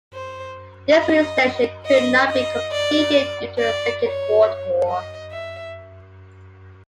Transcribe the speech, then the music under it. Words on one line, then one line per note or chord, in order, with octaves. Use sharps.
This route extension could not be completed due to the Second World War.
C5
D#5
D#5
D#5
D5
D5
C#5
D#5
E5